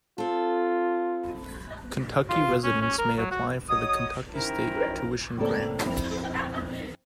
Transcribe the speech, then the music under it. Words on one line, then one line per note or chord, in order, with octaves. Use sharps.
Kentucky residents may apply for the Kentucky State Tuition Grant.
C4 F4 A4
F4
C#4
C#4
A#4
F#3
F#4
F#3 C#5 D#5 D#6
C3 D#3 C#4 D#4 E4 A#4
A2 C#3 A#3 C4 A4 D5
F2 C4 E4